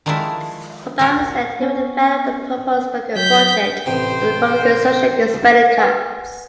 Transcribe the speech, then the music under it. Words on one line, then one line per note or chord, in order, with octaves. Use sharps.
Obama said he would veto a proposed Republican budget over Republican social spending cuts.
D#3 F3 G#3 A3 D4 E4
A#2 G3 F#4 A#4
B3 C#4
F#3 G5 G6 B6
A1 C3 C5 G5
B4 F#5 G#5